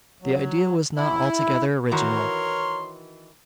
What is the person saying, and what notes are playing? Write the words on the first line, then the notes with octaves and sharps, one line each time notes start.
The idea was not altogether original.
F#3
E4
D#3 E3 F#4 A#4 C#5 C6